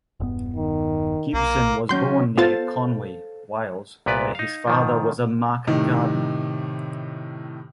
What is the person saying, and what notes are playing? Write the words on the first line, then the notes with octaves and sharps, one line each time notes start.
Gibson was born near Conwy, Wales, where his father was a market gardener.
E1 G2 B3
D#3
B1 A#3
D#3 F#3 C#4 C6 G6
B3 F4 A4 C5 F5 A6
C2 A#2 B3 B4 D5
D#4 F5
G#2 D#3 F3
A2 C3 D#3